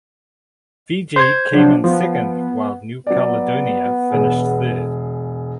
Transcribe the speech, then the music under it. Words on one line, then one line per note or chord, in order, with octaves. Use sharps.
Fiji came in second while New Caledonia finished third.
C5 G6 G#6
F3 F#3 D4
F3 B3
F#3 B3 D5
E1 G#4